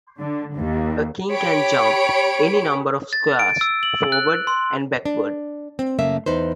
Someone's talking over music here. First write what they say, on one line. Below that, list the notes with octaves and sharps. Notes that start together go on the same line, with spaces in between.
A king can jump any number of squares forward and backward.
D3
D#2
G4 C#5 B5 D7
A6
D7
E6
F#7
F#6
C6
D4
C4
F#2 C#3 A3 A#3 E5
E2 D#4 B4 C5